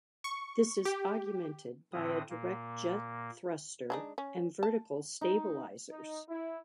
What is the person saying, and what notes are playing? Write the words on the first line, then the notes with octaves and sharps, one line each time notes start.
This is augmented by a direct jet thruster and vertical stabilisers.
C#6
G4
A2 D3 C4 E4 D#6
A#2 A#3
G#3 D4 D#4
C#4
A5
D#4
D#4
E4